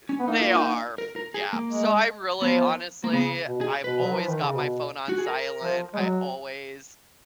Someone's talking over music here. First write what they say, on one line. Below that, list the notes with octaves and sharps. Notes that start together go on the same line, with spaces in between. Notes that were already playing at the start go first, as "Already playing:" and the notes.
Eh, they are f yeah so I really honestly I've always got my phone on silent, I always
C#4
B3
A#3 D#4
F4
D#4
A#4
A#4
G#4
A#3
G#3
F3 B3
A#3
C#3 B3
B2
G#4
B2 B4
F#3
F3
D#3
C#3
B2
F#4
G#4
A#4
F3
G#3
F#3